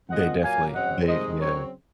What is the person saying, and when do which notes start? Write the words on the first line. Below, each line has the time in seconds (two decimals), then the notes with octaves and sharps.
They definitely they Yeah.
0.10 A#2 F3 G#3 C4 D#5 F#5
0.42 A#2 F#3 A#3 F5 G#5
0.74 C#3 F#3 C4 D#5 F#5
1.07 C3 D#3 G#3 C5 D#5
1.39 C#3 F#3 C4 A#4 C#5